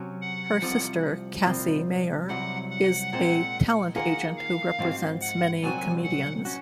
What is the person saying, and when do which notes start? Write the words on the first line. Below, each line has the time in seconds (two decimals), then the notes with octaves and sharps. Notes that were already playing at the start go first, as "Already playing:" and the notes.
Her sister Cassie Mayer is a talent agent who represents many comedians.
Already playing: C3 F#3 C#4
0.21 F#5
0.62 C2 C3 F3
1.46 C2 A#2 F3 C4
2.29 C2 C3 F#3 F#5
2.70 F#5
3.13 A#2 G#3 C4
3.96 D#3 A#3 F4 G#4 F#5
4.37 F5
4.79 G#2 F3 C4 F#4
5.21 F#5
5.62 C2 A#2 F#3 C4 F#4 G#5
6.04 F#5
6.45 C#4 F#4